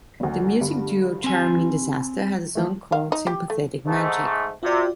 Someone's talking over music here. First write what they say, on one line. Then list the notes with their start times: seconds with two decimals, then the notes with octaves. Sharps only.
The music duo Charming Disaster has a song called "Sympathetic Magic".
0.20 F#1 D2
0.61 G2 D3
1.24 C4 G#5
2.55 E3 A3
2.92 F5
3.12 D#4
3.27 G4
3.50 A3
3.86 G#2 A3
4.63 C3 F4 F#4 D5